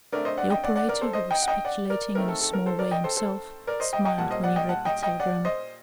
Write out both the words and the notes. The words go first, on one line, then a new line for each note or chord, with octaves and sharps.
The operator who was speculating in a small way himself smiled when he read the telegram.
D3 A3 C4 A#4 D5
C5 D#5
D5 F#5
D#5 G5
D5 F#5
D5 F#5
A#4 D5
A4 C5
C5 D#5
D#5 G5
F#5
D#5 G5
D5 F#5
A#4 D5
D#3 A3 C4 A#4
A4
A4
A#4
A4 C5
A#4 D5
D#5 G5
A4 C5
A4 C5
A#4 D5
C5 D#5
D#5 G5
D#5 G5
A#2 G3 A#3 F#5 A5
C5 D#5
D5 F#5
D#5 G5
F#5 A5
D#5 G5
D#5 G5
D5 F#5
C5 D#5